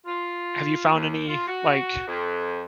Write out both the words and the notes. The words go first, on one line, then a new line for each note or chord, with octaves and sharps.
Have you found any like
F4
D#2
F4
F#4
F2